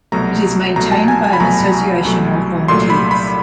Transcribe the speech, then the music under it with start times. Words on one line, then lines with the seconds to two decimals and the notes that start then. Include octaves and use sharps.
It is maintained by an association of volunteers.
0.12 C2 B2 F#3 A3 A#5
0.76 C2 B2 F#3 A3 A#5
0.92 A5
1.08 G#5
1.24 G#5
1.33 B5
1.40 C2 B2 F#3 A3 A#5
2.05 C2 B2 F#3 A3
2.68 C2 A#2 F#3 A3 C6
2.90 B5
3.11 B5